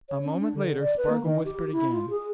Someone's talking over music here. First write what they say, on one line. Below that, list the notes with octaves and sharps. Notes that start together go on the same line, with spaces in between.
A moment later Spargo whispered again.
C#5
C#4
D4
D3
D5
B4
A#3
D#3
G4
E4
F4
G#4